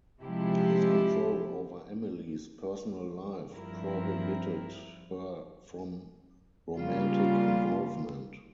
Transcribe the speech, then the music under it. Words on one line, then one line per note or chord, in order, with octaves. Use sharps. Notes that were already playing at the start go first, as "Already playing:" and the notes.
His control over Emily's personal life prohibited her from romantic involvement.
C3 F3 G#3 E4 G4
G2 F3 C4 E4 A#4
C#3 G3 A#3 F4